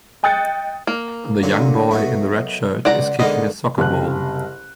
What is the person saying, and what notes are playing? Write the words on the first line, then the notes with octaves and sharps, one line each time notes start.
The young boy in the red shirt is kicking a soccer ball.
D#5 G5 D#6 F#6 A6 C#7
A#3
A#2 D3 F#3
B2 F#3 A3
C#2 D5 F#5 A#5
G#2 D3 A#3 B3 D#5
F#1 C2 F#6